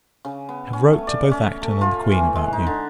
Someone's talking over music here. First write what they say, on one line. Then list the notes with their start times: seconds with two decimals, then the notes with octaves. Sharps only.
I have wrote to both Acton and the Queen about you.
0.25 C#3
0.49 B3
0.73 C#4
0.93 A3
1.07 D5
1.31 C#4
1.62 A3
1.81 F4
2.12 E3
2.36 G#3
2.53 D#4
2.67 D3